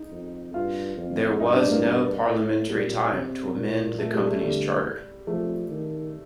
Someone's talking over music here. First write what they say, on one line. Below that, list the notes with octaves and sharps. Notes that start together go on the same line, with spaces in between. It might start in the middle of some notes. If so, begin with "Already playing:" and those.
There was no parliamentary time to amend the company's charter.
Already playing: D#4
F2
G2 F4
F2
G2 D#4
D4
A#3
A#3
A2
A#2 G3
C3
A#2
A3
G3
A3
D3 G3
F3 A3
D#3